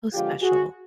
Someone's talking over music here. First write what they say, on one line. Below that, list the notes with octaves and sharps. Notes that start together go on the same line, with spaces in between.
How special.
D3 F3 G#3 B3 F4 G4
F#4 G#4